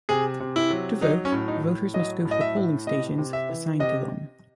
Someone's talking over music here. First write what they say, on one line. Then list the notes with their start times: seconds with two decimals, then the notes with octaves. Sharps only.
To vote, voters must go to the polling stations assigned to them.
0.09 C3 G#4
0.40 C3
0.56 E4
0.70 F#3
1.01 F#3 D#4
1.25 C#4
1.32 A2
1.48 D#4
1.63 A2
1.94 F#3 D#5
2.25 A2
2.31 D#5
2.41 E5
2.56 A2
2.87 C3 D#5
3.18 C3
3.33 E5
3.49 E3
3.80 C3 D#5